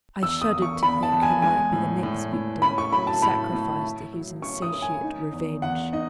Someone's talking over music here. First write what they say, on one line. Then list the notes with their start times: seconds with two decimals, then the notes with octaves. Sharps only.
I shuddered to think who might be the next victim sacrificed to his insatiate revenge.
0.22 E2 E6
0.42 D#6
0.52 E2
0.62 C#6
0.83 E2 B5
1.03 A5
1.12 E2
1.22 G#5
1.42 G#3 G#5
1.73 A2
2.03 A2
2.33 A2
2.62 C#4 B5
2.78 C#6
2.92 F#3 B5
3.07 A5
3.22 A2 B5
3.53 A2
3.82 E4
4.13 F#3
4.42 C#4 C#6
4.62 D#6
4.73 C#4
4.82 G#5
5.03 D#4
5.32 E2
5.62 E2 F#5
5.93 D#4 D#5